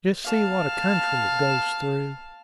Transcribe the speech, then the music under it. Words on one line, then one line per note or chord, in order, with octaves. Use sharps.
Just see what a country it goes through.
F5 A5